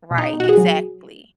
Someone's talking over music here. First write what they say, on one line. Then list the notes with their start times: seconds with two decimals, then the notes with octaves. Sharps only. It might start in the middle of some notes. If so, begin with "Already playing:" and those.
right, exactly.
0.11 B2
0.18 D#4
0.33 B2
0.40 F#4
0.49 G#4
0.57 F#3